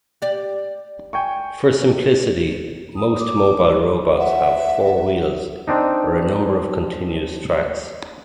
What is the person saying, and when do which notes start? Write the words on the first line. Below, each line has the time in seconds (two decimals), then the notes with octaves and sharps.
For simplicity most mobile robots have four wheels or a number of continuous tracks.
0.22 G4 D5
1.13 G5 G#5 C#6
2.96 D#6
3.19 D6
4.18 E5 F#5
5.67 C4 D4 D#4